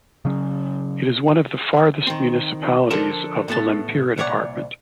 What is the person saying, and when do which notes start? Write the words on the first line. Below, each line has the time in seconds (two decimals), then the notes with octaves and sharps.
It is one of the farthest municipalities of the Lempira department.
0.25 C#3 F#3 C#4
2.07 D#3 C4
2.90 D3 F3 D4 A4 A#4
3.48 A2 B3 A4 A5
4.18 C2 A#2 C#5 D5 F#5